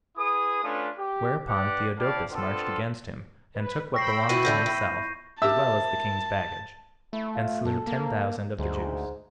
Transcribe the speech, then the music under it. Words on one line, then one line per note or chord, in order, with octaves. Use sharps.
Whereupon Theodopus marched against him, and took what belonged to himself as well as the king's baggage, and slew ten thousand of the Jews.
E4 G#4 B4 D#6
A3 C#4 D4 F4 B4 F5
G4
D4 G4 B4 D5 F#5 D6
E4 G4 D5 F5 A5
B3 C4 D4 F4 A4
B4
G5 B5 C#6 E6 A#6 C7
B2 E3 F#4 D#7
E2 D3 A3 G6 A#6
E2
G4 A#4 E5 A5 E6
A3 E4
F4
F#2 A4
A#3
D2 G#2